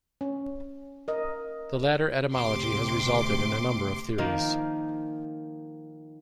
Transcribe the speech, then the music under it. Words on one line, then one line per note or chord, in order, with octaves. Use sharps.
The latter etymology has resulted in a number of theories.
C#4
A#4 D#5
D2 C3 C6 D6
D#3 F3 A#3 D#4